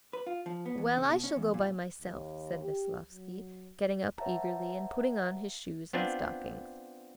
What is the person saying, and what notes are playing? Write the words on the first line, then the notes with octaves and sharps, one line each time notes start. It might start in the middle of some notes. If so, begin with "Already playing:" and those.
"Well, I shall go by myself," said Veslovsky, getting up eagerly, and putting on his shoes and stockings.
B4
F4
F3
B3
E2
C#3
B2
C#4
E2
A#2
D#2
G4
F#3
B4 C#5 E5 F#5 A5 A#5
B3 C4 D4 F4